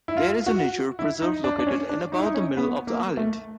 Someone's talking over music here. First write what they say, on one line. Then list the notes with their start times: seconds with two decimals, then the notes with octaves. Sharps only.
There is a nature preserve located in about the middle of the island.
0.08 E4
0.17 F4
0.46 F#4
0.99 E4
1.22 D#4
1.44 D4
1.59 D4
1.67 C#4
1.89 D4
2.12 D#4
2.19 E4
2.26 D#4
2.34 C#4
2.57 B3
2.87 A#3
3.17 A3